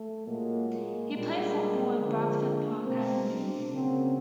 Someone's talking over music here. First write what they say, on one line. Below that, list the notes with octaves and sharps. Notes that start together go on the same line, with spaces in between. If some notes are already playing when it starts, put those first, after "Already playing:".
He played football with Bradford Park Avenue.
Already playing: A3
A#2 F#3 G#3 A#3
G#3 A#3
A#2 G3 G#3 A#3
D3 F3 G#3
B2 G#3 A#3 C4
C4 D4
C#3 F#3 A#3 C4